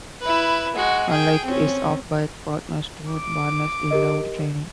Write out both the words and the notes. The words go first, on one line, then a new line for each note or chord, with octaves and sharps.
Unlike his half-back partner Stuart Barnes, Hill loved training.
E4 B4
G#3 F#4
G#4 G5
C4 C#4
D6
G4 A#4 D#5